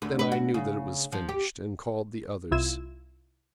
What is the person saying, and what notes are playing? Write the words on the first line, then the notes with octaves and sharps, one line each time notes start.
Then I knew that it was finished, and called the others.
D2
B4
F#4
C#3
F3
G4
C2 E4 F4 E6 G#6 E7